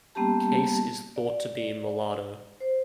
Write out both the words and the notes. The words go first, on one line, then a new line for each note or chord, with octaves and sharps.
Case is thought to be mulatto.
G3 A#3 B3 C#4 G4 A5
D5
C5